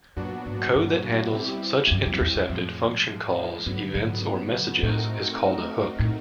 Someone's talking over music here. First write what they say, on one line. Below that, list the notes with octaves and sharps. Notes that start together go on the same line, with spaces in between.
Code that handles such intercepted function calls, events or messages is called a hook.
F#2 A#2 F#3 B3 D4 F#4
G#2
G2
B2 G3 C4 E4 G4
F2
F#2
F2
E2
F2
F2 A2 F3 G#3
G2 D3 F#3 B3
G#2
A2 A3 C4 D#4 F#4 A#4
A2